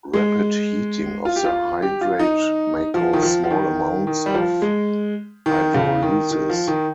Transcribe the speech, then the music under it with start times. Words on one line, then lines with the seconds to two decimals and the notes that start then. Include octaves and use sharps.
Rapid heating of the hydrate may cause small amounts of hydrolysis.
0.13 G#3
1.25 F4
1.36 G4
1.45 F4
1.82 G4
2.01 F4
2.19 D#4
2.94 F3
3.13 D#3
3.22 F3
3.44 F3
3.51 D#3
4.07 D#3
4.26 G3
4.34 F3
4.62 G#3
5.46 D#3
5.74 C#3
6.03 D#3
6.31 D#3
6.49 F3
6.67 D#3